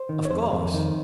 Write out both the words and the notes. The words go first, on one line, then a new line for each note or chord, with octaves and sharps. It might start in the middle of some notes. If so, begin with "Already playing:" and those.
"Of course."
Already playing: C5
D#3
C#5
F2 C5
F2
D#3